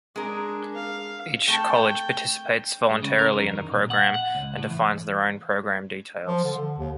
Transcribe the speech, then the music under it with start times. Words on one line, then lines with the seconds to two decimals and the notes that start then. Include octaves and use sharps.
Each college participates voluntarily in the program and defines their own program details.
0.16 G#3 D4 G#4 A#4
0.75 F5
1.48 A3 G5 A5
2.91 G#3
3.03 C#3
3.19 A#4
3.41 F2
3.55 D#3
3.72 A#2
3.90 F#5
4.14 F#5
4.35 C#2
4.58 A2
4.70 E3
6.27 F3
6.44 D3
6.56 D3
6.78 D#2